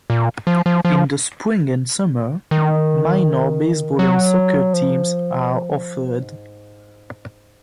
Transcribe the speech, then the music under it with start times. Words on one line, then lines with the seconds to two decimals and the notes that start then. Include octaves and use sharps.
In the spring and summer, minor baseball and soccer teams are offered.
0.10 A#2
0.47 F3
0.66 F3
0.85 F3
2.51 D#3
3.99 F#3
4.73 F3
6.21 G#2